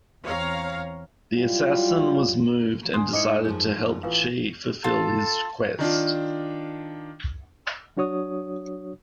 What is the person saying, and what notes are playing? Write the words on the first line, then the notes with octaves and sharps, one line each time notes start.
The assassin was moved and decided to help Chi fulfill his quest.
E2 C4 C#5 F5 A#5
F#3 G3 E4 F4
D3 G#5 C6 D#6
G#2 E4 C5 D#5 D6 D#6 C#7
F#2 F3 G#4
A1 F4 B4 F5
F4 A4 A5
D#3 D4 F4
F#3 D4 F#4 C#5 D#6